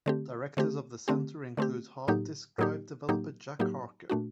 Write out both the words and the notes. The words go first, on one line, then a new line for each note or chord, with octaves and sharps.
Directors of the center include hard disc drive developer Jack Harker.
D3 A3 C4 G4
D3 A3 C4 G4
D3 A3 C4 G4
D3 A3 C4 G4
A2 F#3 A#3 D#4 G4
A2 F#3 A#3 D#4 G4
A2 F#3 A#3 D#4 G4
A2 F#3 A#3 D#4 G4
A#2 A3 D4 F#4